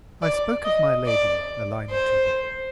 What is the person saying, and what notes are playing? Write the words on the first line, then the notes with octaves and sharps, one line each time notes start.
I spoke of my lady a line or two back.
D5
D#5
D5
C5